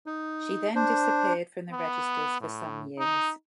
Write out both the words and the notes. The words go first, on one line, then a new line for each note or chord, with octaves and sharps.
She then disappeared from the Registers for some years.
D#4
D4 C5
B3
A2
D#4